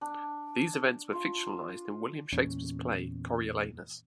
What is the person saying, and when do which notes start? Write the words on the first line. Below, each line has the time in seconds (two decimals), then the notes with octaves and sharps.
These events were fictionalized in William Shakespeare's play "Coriolanus".
0.01 D4
1.13 F4
2.33 E2 A#2 C#4